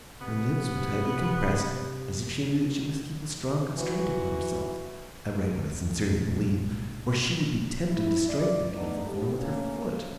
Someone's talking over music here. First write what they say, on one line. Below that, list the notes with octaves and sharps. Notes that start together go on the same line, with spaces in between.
Her lips were tightly compressed, as if she knew that she must keep a strong constraint upon herself--I write what I sincerely believe--or she would be tempted to strike the beautiful form with her foot.
C3 B3
E3 F#4
C2 A#2 G#3 A3
E4
D5
A3 B3 D4 D#4
G4
A3 A#3 C#4